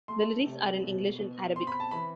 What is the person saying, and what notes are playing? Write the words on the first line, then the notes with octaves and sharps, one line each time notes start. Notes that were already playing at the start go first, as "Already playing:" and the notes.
The lyrics are in English and Arabic.
A3 C6
C3
B2
B2
C4 C6
B5
A5
E3 B5